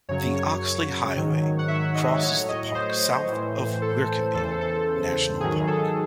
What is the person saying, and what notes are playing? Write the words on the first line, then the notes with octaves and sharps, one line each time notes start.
The Oxley Highway crosses the park south of Werrikimbe National Park.
F#2 C#3 F#3 C#5
C#5
G#2 D#3 F#3
F#5
E5
D#5
A2 F#3 C#5
D#5
C5
A2 E3
A4
E2 C#3 E3 A4
C5
A4
A4
G#2 D#3 F#3 G#4
A4